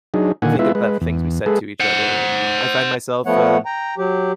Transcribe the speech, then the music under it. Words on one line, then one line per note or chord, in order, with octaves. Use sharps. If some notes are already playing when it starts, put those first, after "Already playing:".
think about the things we said to each other, and I find myself, uh,
F#3 D4 D#4 G#4
A#2 D3 D#3 A#3 F#5 G#5
G#3 B3 E4 F4 B4 E5
G#3 B4
E2
G#3 G#4 A4 B4
C5 F#5
F3 A3 B3 C#5 F#5
G5 A#5
F#3 G4